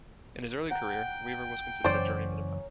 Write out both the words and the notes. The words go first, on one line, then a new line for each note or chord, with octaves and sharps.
In his early career, Weaver was considered a journeyman opponent.
F#5 G5 A#5
F#1 F#2 E3 C#4 C5 D5